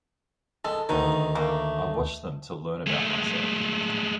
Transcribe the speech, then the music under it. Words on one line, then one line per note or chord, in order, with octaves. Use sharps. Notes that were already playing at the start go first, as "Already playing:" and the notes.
I watch them to learn about myself.
G#3 A4
D2 B2 D#3 D#4
A3 A#3
G#3 A3